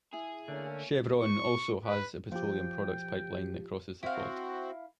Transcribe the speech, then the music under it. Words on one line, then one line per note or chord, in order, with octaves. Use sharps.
Chevron also has a petroleum products pipeline that crosses the fault.
E4 G#4
D3 A3 A#3 C#4
C#6
B4
F3 F4 G4 G5
C4 E4 F#4 F5